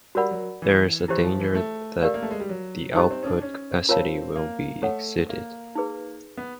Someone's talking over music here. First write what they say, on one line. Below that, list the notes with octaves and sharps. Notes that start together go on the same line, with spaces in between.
There is a danger that the output capacity will be exceeded.
G3 F#4 A#4 D5 F#5 B5
F#3
E3
E3 E4 G4 C5 E5
F3
E3
A3
G4 A#4 D5 F5
A#3
A3
G#3
G3
F#3
G3 D#4 G4 C5 D#5
C4
C#4
D4
C#4
C4 F4 A#4 C#5 F5 A5
A#3
A3 A4 C#5 F#5
A#3
D#4 G#4 B4
B3